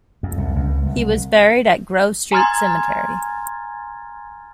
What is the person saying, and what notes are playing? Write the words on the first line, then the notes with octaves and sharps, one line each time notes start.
He was buried at Grove Street Cemetery.
F2
C2
C#2
C2
G#5 A#5 C6 F6 G#6 A6